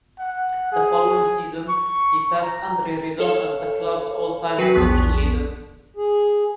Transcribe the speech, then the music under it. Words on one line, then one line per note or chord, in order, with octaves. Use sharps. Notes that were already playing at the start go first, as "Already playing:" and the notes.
The following season, he passed Andre Rison as the club's all-time reception leader.
F#5
G#4
C#6
A#5
A4 C#5 F5
F#3 F#4 B4 G5 B6 C7
A#1 E2 F3 B3 C#6 B6
G#4